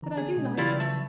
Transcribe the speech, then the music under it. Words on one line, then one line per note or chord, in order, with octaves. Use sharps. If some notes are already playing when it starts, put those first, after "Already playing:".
But I do like the man.
D3 E3 A#5
G#4
B2 G#3 C#4
C#3 E3 F#3 G3 E4 F4
A3